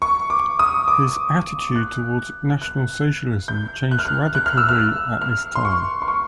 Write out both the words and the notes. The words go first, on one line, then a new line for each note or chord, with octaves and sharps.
His attitude towards National Socialism changed radically at this time.
C#6
D6
D#6
D6
F#6
F#6
G6
F#6
F6
F#6
F#6
F6
E6
F6
F6
C6
C#6
C6
C#6